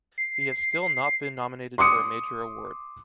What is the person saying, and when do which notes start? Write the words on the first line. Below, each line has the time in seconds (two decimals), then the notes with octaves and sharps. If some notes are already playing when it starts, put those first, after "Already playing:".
He has still not been nominated for a major award.
0.18 C7
1.78 C6 D6 D#6 C#7